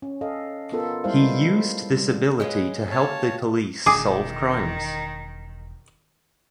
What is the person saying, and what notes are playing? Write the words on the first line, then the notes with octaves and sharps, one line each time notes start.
He used this ability to help the police solve crimes.
C#4
A4 D#5 F5
B3 F4 A4 A#4
G3 G#3 E4 C5 F5
G3
G#3 G#4 B4 C#5 D#5 F5
A#3 G4 C#5 F5 A5
E1 D#3 A#3 G#4 D6